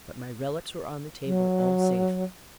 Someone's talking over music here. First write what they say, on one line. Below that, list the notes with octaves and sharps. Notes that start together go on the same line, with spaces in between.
But my relics were on the table, all safe.
F#3